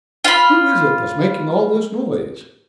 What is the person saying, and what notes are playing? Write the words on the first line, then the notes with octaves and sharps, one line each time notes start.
"Who is it that's making all this noise?"
F4 B5